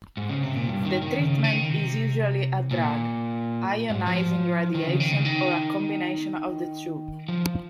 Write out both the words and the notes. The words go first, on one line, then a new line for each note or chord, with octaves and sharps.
The treatment is usually a drug, ionizing radiation, or a combination of the two.
G#2
C#3
C3
A#2
G2
D#3
D#3
C#3
D#3
C3
A#2
G#2
F3
D#3
C#3
D#3
C#3
D#3
F3